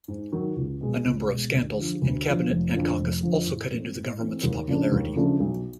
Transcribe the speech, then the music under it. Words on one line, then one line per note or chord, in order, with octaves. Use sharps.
A number of scandals in cabinet and caucus also cut into the government's popularity.
G#2
D#3 F#3
C#2
B2 G#3
C#2
B2 G#3
D2
D3 F3
D2
D3 F3
F1
F2 D3 F3
F1
F2 D3 F3
A2
E3 A3 C4
A2
E3 A3 C4
D#2
C#3 F3 A3 D4
D#2
C#3 F3 A3 D4
B1